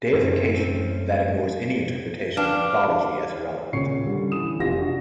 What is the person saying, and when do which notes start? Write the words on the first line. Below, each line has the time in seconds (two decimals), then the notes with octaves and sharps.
"Deification", that ignores any interpretation of mythology as irrelevant.
0.13 F#2 A3 C4 C#4
2.37 D4 B4 F5 G5
3.73 D#1 C#3 C#5 C#6 C7 C#7
4.06 D3 G3
4.32 E3 D#6 E7
4.59 F1 B2 C#4 F4 G4 A#6
4.79 D4 F#4